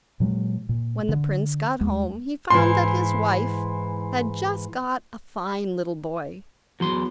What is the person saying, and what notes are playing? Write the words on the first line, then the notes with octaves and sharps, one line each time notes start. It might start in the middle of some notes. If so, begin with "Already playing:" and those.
When the prince got home he found that his wife had just got a fine little boy.
A#2 F#3 G#3
A#2
D3
D#2 G#3
G#2 E3 C6
E2 F#3 C6